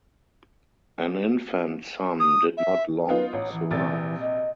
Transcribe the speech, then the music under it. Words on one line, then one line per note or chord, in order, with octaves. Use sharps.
An infant son did not long survive.
D#6
E5
B3 D#4 F4 B4
A1 C#5
E3
A#1 C3 A6
D#5